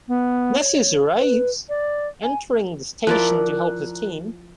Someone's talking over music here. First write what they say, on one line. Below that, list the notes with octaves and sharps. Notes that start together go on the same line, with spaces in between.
Nessus arrives, entering the station to help his team.
B3
C#5
B4
D5
G#5
F3 E4 A#4 D5 F#6